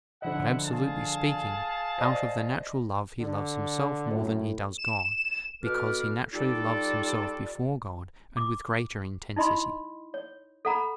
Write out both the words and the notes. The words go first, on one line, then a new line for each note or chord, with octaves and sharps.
But absolutely speaking, out of the natural love he loves himself more than he does God, because he naturally loves himself before God, and with greater intensity.
D3 F3 E4 D#5 F#5
G#4 F5 A5
C5 D5 D#5
D3
F#2 A2
E7
B2 A4 B4 D6 F6
G3 D#4 F4 A4 D5
D6
D#4 E4 D#5 B5 C6
C#5
A4 F#5 A#5 B5